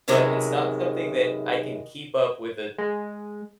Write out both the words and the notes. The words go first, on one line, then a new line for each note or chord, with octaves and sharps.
but it's not something that I can keep up with a
F#2 C3 D#3 E3 G#3
G#3